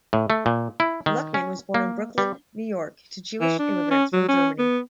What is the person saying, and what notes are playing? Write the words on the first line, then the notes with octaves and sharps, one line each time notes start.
Luckman was born in Brooklyn, New York, to Jewish immigrants from Germany.
A2
A3
A#2
E4
D#3
C#4
A#3
G3
E3
D4
C#4
F#3
C#4
B3